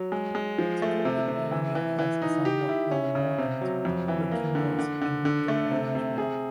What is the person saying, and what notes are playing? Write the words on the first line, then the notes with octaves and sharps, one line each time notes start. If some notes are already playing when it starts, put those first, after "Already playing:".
The cockpit area has a somewhat more "modern" looking nose and window arrangement.
Already playing: F#3
G#3
G#3
F3
A3
C3
C3
E3
E3
E3
D#4
G4
E4
C#4
C#3
C3
F#3
F2
E3
A#3
D3
D3
D3
D3
A3
C3
C3
G#4